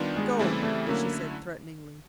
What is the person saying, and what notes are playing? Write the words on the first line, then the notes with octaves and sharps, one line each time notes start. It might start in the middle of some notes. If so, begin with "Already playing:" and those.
"Go!" she said threateningly.
Already playing: D#3 G3 B3 D4 F4
G#3
C#3 E3 G3 A3 C4 E4
A3
D3 F#3 A3 A#3 C#4 E4